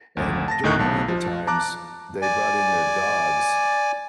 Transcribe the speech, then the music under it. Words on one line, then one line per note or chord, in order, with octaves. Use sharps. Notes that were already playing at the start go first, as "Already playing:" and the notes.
and during one of the times, they brought in their dogs,
G#1 D2
A5 A6 A#6
D2 A2 D#3 D#4 C#6 F#6
B1 A5
F3
A5 A#5 D6 F#6
D5 G#5